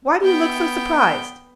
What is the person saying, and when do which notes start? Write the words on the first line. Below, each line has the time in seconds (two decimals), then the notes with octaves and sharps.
Why do you look so surprised?
0.24 B3 G5